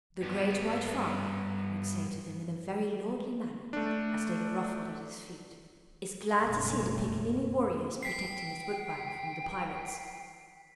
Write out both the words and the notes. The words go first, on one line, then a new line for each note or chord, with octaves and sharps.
'The great white father,' he would say to them in a very lordly manner, as they grovelled at his feet, 'is glad to see the Piccaninny warriors protecting his wigwam from the pirates.'
G2 B3
A3 D4
F#1 G2 B2 G3 A3 C#4
G5 B6 C7